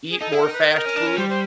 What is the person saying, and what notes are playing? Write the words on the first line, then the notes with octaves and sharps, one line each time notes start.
eat more fast food,
G#4
D#4 A4
E4 G#4
D#4 A#4
B4
A#4
C#4
D4
C#4
G3 C5
C5